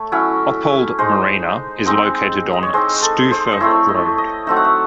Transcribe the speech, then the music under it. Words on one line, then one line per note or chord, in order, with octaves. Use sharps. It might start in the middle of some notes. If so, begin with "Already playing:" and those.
Oppold Marina is located on Stouffer Road.
Already playing: A3 C#5
F#3 C#4 E4
G#3 D#4 C5
G#3 C4 D#4
D#5
C#5
G#3 C4 D#4 C5
A4
C5
D#5
A3 C4 E4 C#5
D#5
D#5
F#3 A3 C4 D#4 E5
F#5
E5